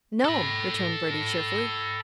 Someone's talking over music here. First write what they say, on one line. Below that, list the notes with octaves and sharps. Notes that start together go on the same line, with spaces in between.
"No'm," returned Bertie cheerfully.
A4 B5